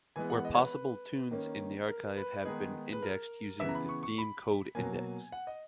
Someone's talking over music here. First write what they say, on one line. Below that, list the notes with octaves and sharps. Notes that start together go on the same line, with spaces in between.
Where possible tunes in the archive have been indexed using the Theme Code Index.
E3 G#3 B3 G#5
F#5
D#5
C#5
B4
D#3 A#3 C#4
A#4
B4
D#3 G#3 B3 D#4 G#4
B4
A#4
C#3 E3 B3 E5
A#5
B5
C#6
C#6
B5
B2 F#3 A#3 G#5
F#5
D#5